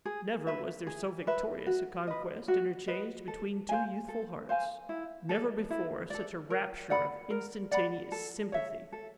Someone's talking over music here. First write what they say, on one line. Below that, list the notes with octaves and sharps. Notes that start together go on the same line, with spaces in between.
Never was there so victorious a conquest interchanged between two youthful hearts-- never before such a rapture of instantaneous sympathy.
G#4
B4 E5
G#4
B4 E5
F#4
B4 D#5
F#4
B4 D#5
A4
C5 F5 G#5
A4
C5 F5 G#5
E4
A4 D5
E4
A4 D5
A#4
D5 F#5 B5
A#4
D5 F#5 B5
A4
C#5 E5
A4